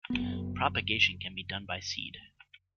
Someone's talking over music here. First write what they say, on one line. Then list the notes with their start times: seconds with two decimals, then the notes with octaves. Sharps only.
Propagation can be done by seed.
0.10 F#1 B3